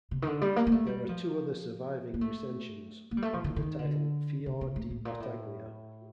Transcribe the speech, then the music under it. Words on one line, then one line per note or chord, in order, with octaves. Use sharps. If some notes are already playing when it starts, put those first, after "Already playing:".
There are two other surviving recensions, under the title Fior di Battaglia.
C3
D#3
D3
G3
A#3
A#3
A3
G3
F3
A#3
A3
A#3
G3
A3
F3
D#3
D#3
D3
C3
C3
A2
A2
A#2
A2